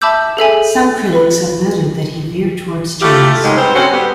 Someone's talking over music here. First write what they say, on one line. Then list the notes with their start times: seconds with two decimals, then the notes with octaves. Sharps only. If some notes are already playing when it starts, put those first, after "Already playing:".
Some critics have noted that he veered towards jazz.
0.02 E5 A5 B5 D6 E6 G6
0.37 G#4 A4 E5 G#5
1.13 B4 B5
3.01 A3 E4 F4 G4
3.43 G#2 C3 D#3 F#3 G#3
3.56 G3 B3 C4
3.75 D3 C4 C#4 F#4 C5
3.92 G3 B3